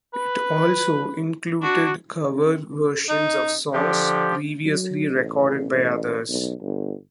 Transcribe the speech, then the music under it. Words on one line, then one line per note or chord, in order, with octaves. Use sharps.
It also included cover versions of songs previously recorded by others.
B4
D4 F#4
D#4
D3 F3 G4
F#3
A1
A1
B1
G1